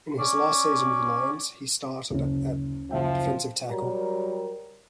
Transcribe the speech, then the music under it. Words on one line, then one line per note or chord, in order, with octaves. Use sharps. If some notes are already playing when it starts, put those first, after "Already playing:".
In his last season with the Lions, he started at defensive tackle.
C#4 D5
F#1 D2 C#4
F#1 F3 E5 G5
F#3 G3 A#4